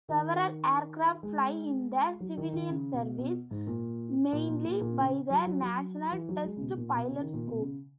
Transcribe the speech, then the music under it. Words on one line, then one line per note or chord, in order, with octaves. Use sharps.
Several aircraft fly in the civilian service, mainly by the National Test Pilot School.
D#3
G#3
F#3
D#3
D#3
C#3
B2
B2
G#2
A#2
A#2
A#2
A#2
A#2
C#3
F#3
F#3
F#3
E3
F#3
G#3
C#3
B2
A#2
B2
C#3
D#3
A#2
B2
C#3